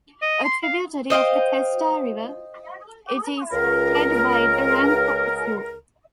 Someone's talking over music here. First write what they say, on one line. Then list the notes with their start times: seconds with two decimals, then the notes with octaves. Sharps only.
A tributary of the Teesta River, it is fed by the Rangpo chu.
0.22 D#5
0.45 C6
0.63 F5
1.10 C5 D#5 F5 G5
3.51 C#2 A#4